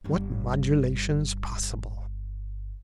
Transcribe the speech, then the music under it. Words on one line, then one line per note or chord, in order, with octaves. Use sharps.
What modulations possible!
G1 G3